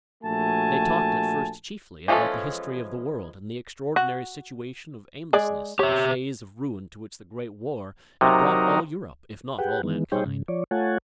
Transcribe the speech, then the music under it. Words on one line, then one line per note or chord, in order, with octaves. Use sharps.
They talked at first chiefly about the history of the world and the extraordinary situation of aimlessness in a phase of ruin to which the Great War had brought all Europe, if not all mankind.
A#1 A3 F#4 G#5 A5
E3 F3 G#3 C#4 A4
F#4
G#3 G#4 D5
G4 C#5 E5
C3 F#3 D#4 A#4
G4 G#4 B4 F#5 G5
D#3 E3 G#3 B3
G3 D#4 G#4 C5 C#5 G5
G#2 C#3
F3 C#5 D5
A3 F4 C#5 F#5 G#5 A5